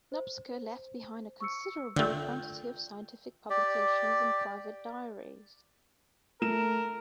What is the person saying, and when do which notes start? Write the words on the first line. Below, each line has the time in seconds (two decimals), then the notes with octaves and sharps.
Nopcsa left behind a considerable quantity of scientific publications and private diaries.
0.12 C5
1.40 C#6 E6 C#7
1.96 D3 A3 F4 G5 G6
3.50 G4 D5
6.42 A3 A#4 E7